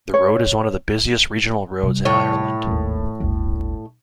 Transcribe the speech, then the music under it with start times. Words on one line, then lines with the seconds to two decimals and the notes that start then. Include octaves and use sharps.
The road is one of the busiest Regional Roads in Ireland.
0.14 C#5
1.83 C3 G3
2.05 A2 C#5
2.67 G#1 D#2
3.20 G1 D2